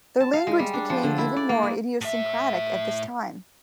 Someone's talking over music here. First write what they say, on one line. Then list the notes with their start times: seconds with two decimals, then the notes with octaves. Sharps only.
Their language became even more idiosyncratic at this time.
0.20 A5
0.33 F5
0.47 G#3
0.59 G3
0.73 D4
0.90 F3
1.03 D3
1.18 E4
1.36 D5
1.49 A#3
1.63 G#3
2.01 A2 E5